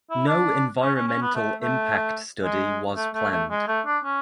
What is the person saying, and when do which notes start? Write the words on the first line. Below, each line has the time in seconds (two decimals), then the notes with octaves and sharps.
No environmental impact study was planned.
0.10 E4
0.27 D4
0.82 C#4
0.94 C#4
1.08 C#4
1.21 B3
1.35 A3
1.62 A3
2.43 G#3
2.96 A3
3.14 A3
3.32 A3
3.50 G#3
3.68 A3
3.86 D4
4.04 C#4